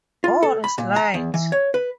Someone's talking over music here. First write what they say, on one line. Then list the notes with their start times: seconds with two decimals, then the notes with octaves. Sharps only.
God is Light.
0.24 F4
0.43 A4
0.64 B5
0.78 A#2
0.96 A#5
1.14 E2
1.34 E3
1.52 C#5
1.74 B4